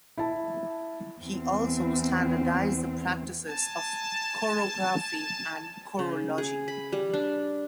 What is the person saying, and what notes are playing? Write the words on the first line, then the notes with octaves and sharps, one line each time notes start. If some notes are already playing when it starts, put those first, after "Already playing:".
He also standardized the practices of chorography and chorology.
E4 A5
E2 C4
G#5 A5
C#3
G#4
B5
G3
D4